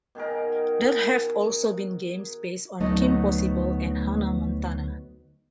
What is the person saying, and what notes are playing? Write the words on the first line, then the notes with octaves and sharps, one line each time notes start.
There have also been games based on Kim Possible and Hannah Montana.
B2 D#3 G#4 A#4
D2 F#3 A3 B3 D#4 D#5